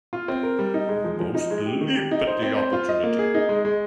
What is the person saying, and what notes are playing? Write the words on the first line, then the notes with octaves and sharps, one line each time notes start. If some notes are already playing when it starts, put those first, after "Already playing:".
Most leap at the opportunity.
F4
C4
A#4
G3
D#4
G#3
F3
F3
D#4
G#3
G4
D#3
G4
D#4
C5
C4
C5
F4
D#5
A#3
G#4
D#4
G#3
G#3